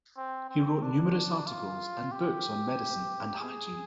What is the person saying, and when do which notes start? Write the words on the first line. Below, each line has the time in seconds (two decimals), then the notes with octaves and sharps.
He wrote numerous articles and books on medicine and hygiene.
0.17 C4
0.50 C4
0.83 D4
1.47 F4
2.12 G4
3.40 G#4